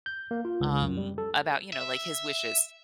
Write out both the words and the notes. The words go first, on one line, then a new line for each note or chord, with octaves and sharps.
um, about, you know, like, his wishes
G6
A#3
F4
C#2
F#2
G3
A4
E5